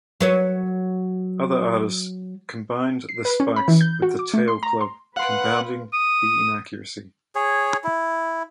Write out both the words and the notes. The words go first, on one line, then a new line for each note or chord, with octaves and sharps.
Other artists combined the spikes with the tail club, compounding the inaccuracy.
F#3 B4 C#5
C7
B4
C#4
B5
E3
G6
F#4
D6
A3
C6
A#5
C6
B4 F5 F#5 C6
D#6
G#4 C#5
E4